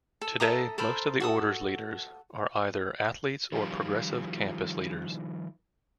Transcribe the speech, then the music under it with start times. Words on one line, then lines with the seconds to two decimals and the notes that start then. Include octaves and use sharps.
Today, most of the Order's members are either athletes or progressive campus leaders.
0.21 A4
0.40 A4 E5 A#5 D#6
0.78 A4 A#4 C5 B5
1.20 F#4 A4 D#6
3.52 D#3 F3 G3 F4